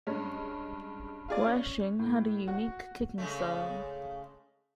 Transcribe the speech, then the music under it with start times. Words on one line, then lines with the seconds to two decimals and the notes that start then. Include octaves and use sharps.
Wersching had a unique kicking style.
0.07 G2 G#3 C#4
1.28 F4 G#4 D5
1.46 C#4
1.99 A2
2.48 F#4
3.18 C#3 G#3 A3